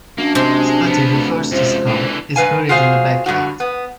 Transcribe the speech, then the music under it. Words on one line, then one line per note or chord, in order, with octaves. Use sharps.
Scottie, the first to succumb, is buried in the back yard.
F#2 A#3 D4
C3 G#3 C5
F3 B3
D2
C#2 F#2 F3 C5
D3 E3
G2 B4 F5 G#5
F4 F#4 G#4 C5 F5
G2 A#2 D3 F#4
B3